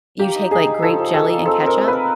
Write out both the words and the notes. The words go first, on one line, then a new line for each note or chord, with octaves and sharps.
you take, like, grape jelly and ketchup
A#3 G4
D#4
D#4 G#4
D#4
F3 A4
F3
G#4 A4
A#3
C4 A4
C4
A#4
C4
A#4 B4